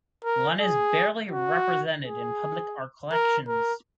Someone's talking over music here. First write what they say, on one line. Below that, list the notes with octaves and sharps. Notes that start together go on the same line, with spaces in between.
Lunn is barely represented in public art collections.
A#4
G#4
F#4
G#4
A#4
A#4